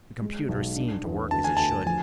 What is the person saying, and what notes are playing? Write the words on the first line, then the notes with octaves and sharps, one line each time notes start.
The computer seemed to work as it should.
G#3
B1
D4
E2
D2 A5
G#5
D2 A5
F3 G#5